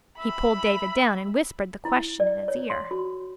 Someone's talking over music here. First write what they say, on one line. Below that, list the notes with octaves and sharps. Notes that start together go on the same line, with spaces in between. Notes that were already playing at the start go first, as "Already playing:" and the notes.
He pulled David down and whispered the question in his ear.
E5 B5
E4
D5
C#5
C6
F#4